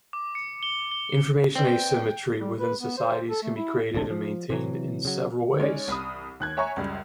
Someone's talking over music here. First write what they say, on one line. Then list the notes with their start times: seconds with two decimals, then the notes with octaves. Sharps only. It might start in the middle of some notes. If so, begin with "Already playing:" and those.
Information asymmetry within societies can be created and maintained in several ways.
0.13 D6
0.35 C#7
0.63 G7
0.91 G7
1.55 C4 B4 D5 G5 G7
2.40 G3
2.60 B4
2.81 B3
2.98 C5
3.30 A4
3.43 A3
3.56 E4
3.94 D1 A#1 C3 D4
4.10 F3
4.50 C3 E3 F#3
5.05 C#3 F#3
5.59 G#3 C#4 D#4 C#5 D5
5.88 C2 B5 D#6
6.40 D#2 F#6 G#6
6.57 C#5 E5 G#5 A#5 C#6
6.76 C#2 F#2 G3